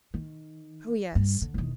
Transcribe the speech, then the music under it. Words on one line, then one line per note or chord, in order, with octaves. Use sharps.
"Oh yes."
D#3
G2
D3
E1 D#3